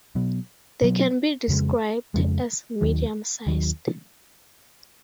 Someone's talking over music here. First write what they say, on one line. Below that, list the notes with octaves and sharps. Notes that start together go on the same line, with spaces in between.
They can be described as medium-sized.
B2 F#3 B3
B2 F#3 B3
F2 C#3 G#3
F2 C#3 G#3
D#2 D#3 F#3
D#2 D#3 F#3